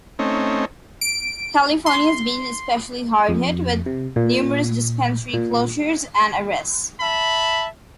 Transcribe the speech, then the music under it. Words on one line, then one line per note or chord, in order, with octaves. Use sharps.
California has been especially hard hit, with numerous dispensary closures and arrests.
A3 C4 C#4 D#4
D7
C6
F2
C3
A#2
A#2
E5 A5 B5